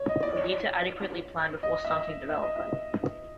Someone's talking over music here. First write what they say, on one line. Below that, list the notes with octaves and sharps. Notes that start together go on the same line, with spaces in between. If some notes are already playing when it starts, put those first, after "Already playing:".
We need to adequately plan before starting development.
Already playing: C#5
D#5
D5
C#5
D5
D#5
E5
E5
D#5
E5